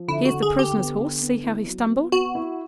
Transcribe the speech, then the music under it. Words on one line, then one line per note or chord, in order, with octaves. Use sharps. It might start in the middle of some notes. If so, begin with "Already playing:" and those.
Here's the prisoner's horse, see how he stumbled?
Already playing: F3
D3 E4
F#4
D3
G#4
D3 G4
B3
D3
B3
E4
F#3
B3
B3 F#4
E4